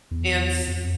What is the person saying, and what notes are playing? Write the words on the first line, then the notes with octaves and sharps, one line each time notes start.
and s
E2
F2